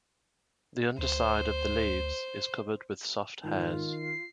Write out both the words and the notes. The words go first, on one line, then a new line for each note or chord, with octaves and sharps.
The underside of the leaves is covered with soft hairs.
D2 C5
G#2 D#3 F4
C7